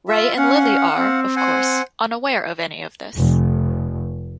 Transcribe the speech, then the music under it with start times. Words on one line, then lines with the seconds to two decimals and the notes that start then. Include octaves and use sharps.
Ray and Lily are, of course, unaware of any of this.
0.08 F4 E5
0.37 C#4 F5 F#5
0.96 C4
1.36 C5 F#5 G#5
3.17 F1